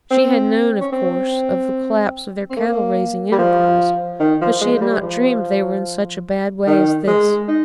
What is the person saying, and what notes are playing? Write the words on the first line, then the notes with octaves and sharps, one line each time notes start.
She had known, of course, of the collapse of their cattle-raising enterprise, but she had not dreamed they were in such a bad way as this.
C4
C#4
C4
C4
A#3
G3
F3
D#3
F3
G#3
F3
G3
F3
D#3
G#3
D#4